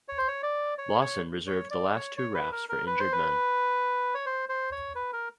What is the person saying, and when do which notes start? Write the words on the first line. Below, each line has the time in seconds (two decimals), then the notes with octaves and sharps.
Lawson reserved the last two rafts for injured men.
0.08 C#5
0.18 C5
0.28 C#5
0.43 D5
0.78 C#5
1.01 C#5
1.47 C#5
1.71 D5
1.94 C#5
2.17 C#5
2.34 B4
2.52 A#4
2.69 A#4
2.87 B4
3.00 C5
3.13 B4
4.14 C#5
4.26 C5
4.49 C5
4.72 C#5
4.95 B4
5.13 A#4